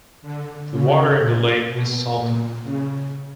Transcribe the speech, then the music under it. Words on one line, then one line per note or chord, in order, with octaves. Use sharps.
The water in the lake is salty.
D3
C#3
A#2
B2
A#2
C#3